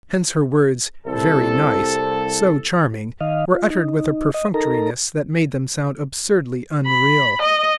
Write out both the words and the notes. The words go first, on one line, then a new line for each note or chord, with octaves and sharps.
Hence her words "very nice," "so charming," were uttered with a perfunctoriness that made them sound absurdly unreal.
C2 A4
D#3 D#5 F5
F4
D#4
D#5
D#4 A4 A#4 A#5
B5
D#5